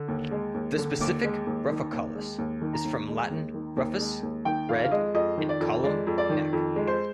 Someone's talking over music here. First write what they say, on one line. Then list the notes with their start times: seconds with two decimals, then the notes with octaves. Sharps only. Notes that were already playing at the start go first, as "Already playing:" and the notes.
The specific "ruficollis" is from Latin "rufus", "red" and "collum", "neck".
Already playing: D3
0.08 D#2
0.31 G#3
0.54 D#2
0.78 D3
1.01 D#2 D6
1.23 G#3
1.47 D#2
1.70 D#3
1.93 D#2
2.15 G#3
2.38 D#2
2.62 D#3
2.73 A#5
2.85 D#2
3.08 G#3
3.31 D#2
3.54 D#3
3.76 D#2
4.00 G#3
4.23 D#2
4.45 D#3 G5
4.69 F2 F5
4.84 F5
4.91 G#3 D#5
5.14 F2 D#5
5.38 D#3
5.49 D5
5.60 F2
5.84 G#3 D5
6.07 F2
6.18 D5
6.30 D#3
6.53 F2
6.76 G#3
6.87 C5